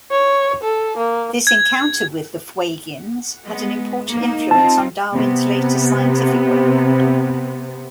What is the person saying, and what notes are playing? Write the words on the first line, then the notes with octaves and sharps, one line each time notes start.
This encounter with the Fuegians had an important influence on Darwin's later scientific work.
C#5
A4
A#3
G#6
G#3 B3
A#3 D#4
C4 D#4 F4 A5
C3 B3